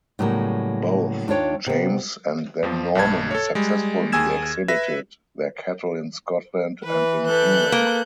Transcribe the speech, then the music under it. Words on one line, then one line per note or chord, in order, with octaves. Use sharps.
Both James and then Norman successfully exhibited their cattle in Scotland and in England.
A2 C#3 F#3 G3 A#3 B3
D#2 D4 F4 C#5 G5
C3 B3
F2 F3
B1 G2 A5 G#6
A4 C#5
G3 G#3
D#2 G#4 G#5 E6 G#6 E7
B4 E5 A#6
E3 B4
A4 B4 F#6 G6
A#3